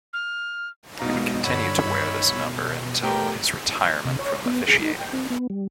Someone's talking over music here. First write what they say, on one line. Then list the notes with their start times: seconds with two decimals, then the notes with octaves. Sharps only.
He would continue to wear this number until his retirement from officiating.
0.13 F6
0.99 B2 G#3 B3 D#4 F5 A#5
1.44 G2 D3 C#5 F#5 B5 E6
1.82 G2 D#3 D#4
2.27 B2
3.03 A3 G4 A#4 G5
4.05 C3
4.19 C#5
4.46 B3
4.67 G#4
4.82 D#4
4.98 G5
5.13 C4
5.30 B3
5.50 G3